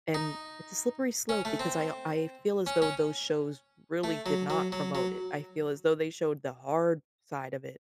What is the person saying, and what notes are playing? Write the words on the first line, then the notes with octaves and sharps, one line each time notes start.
And it's a slippery slope because I I feel as though those shows really did not promote it. I feel as though they showed the hard side of it.
D#4
C#4
A3
C4
C#4
C#4
A3
F#3
F#3
F#3
F#3